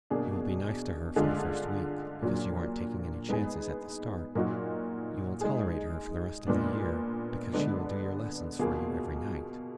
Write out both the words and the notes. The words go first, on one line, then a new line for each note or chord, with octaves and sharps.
You will be nice to her for the first week, because you aren't taking any chances at the start; you will tolerate her for the rest of the year, because she will do your lessons for you every night.
B2 A#3 D4 G#4
D3 G#3 D4 F4 G#4
A#2 F#3 D4
G#3 B3 D#4 G#4
A#2 F#3 A#3 D#4 F#4
G#3 D#4 G#4
A#2 G#3 B3 D4
D3 G#3 B3 D4
B2 A#3 F4 G#4